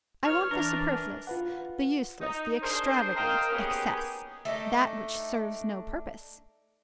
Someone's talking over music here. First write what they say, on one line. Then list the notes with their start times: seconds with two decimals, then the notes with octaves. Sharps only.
I want the superfluous, the useless, the extravagant, excess, that which serves no purpose.
0.25 G2 F4 C#5 F6
0.51 E3 D4 A#4
1.27 F4 B4 F#5
2.20 D#4
2.62 D4 G#4 A#4 C5
3.16 A#4 C5 D#5 F5 G5
3.51 A#3 B3 C#4 D#4 G4 G#4
4.45 A3 D4 D#4